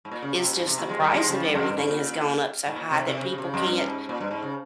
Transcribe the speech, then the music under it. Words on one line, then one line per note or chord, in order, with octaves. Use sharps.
it's just the price of everything has gone up so high that people can't
G#2
A#2
C#3
C3
A#2
G#2
C3
A#2
F3 G#3
D#3 G3
F3 G#3
C#3 F3
G2
F2
G2
G#2
A#2
G#2
A#2
C3
C3
C#3
C#3
C3
C#3
F2
G2
G#2
A#2
G2
G#2
C#3